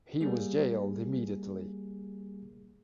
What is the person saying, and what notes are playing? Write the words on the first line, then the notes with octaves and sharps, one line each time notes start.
He was jailed immediately.
G3 A#3 G#4